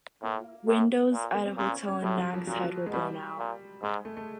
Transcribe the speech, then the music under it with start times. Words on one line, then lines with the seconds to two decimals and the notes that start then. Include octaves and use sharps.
Windows at a hotel in Nags Head were blown out.
0.23 A2 A#3
0.68 A2
1.13 A#2
1.34 B3
1.46 C4
1.58 A#2 C#4
1.88 C#4
2.03 A2 G3
2.18 F#3
2.33 F3
2.47 A#2 F#3
2.56 F3
2.64 F#3
2.86 G#3
2.92 B2 G3
3.38 A#2
3.83 G#2 G#3
4.05 A3
4.17 A3